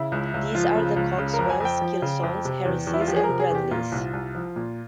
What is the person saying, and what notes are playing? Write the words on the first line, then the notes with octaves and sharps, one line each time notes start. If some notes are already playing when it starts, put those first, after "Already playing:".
These are the Cogswells, Kilsons, Harrises and Bradleys.
Already playing: C#3 E4
C#2
C#2
F3 F4
C#3
C#2
C#3
A#4
F2
G#5
F2 G5
F3
C#3
F2
C3
E2
E2
E4
F4
F3 G4
G#4
A#4
C3
G#4
E2 G4
A#2 F4
C2
C2
F3
A#2